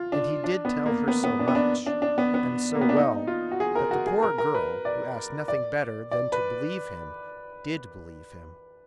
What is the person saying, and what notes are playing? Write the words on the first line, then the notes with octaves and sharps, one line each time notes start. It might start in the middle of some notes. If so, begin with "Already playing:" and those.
And he did tell her so much, and so well, that the poor girl, who asked nothing better than to believe him, did believe him.
Already playing: F4
D4
D4
B3
A#3
B3
B3
D4
B3
D4
D4
D4
B3
B3
A#3
B3
D4
D#4
F4
F#4
G#4
A#4
F#4
G#4
A#4
A#4
B4
D5
D5
D5
B4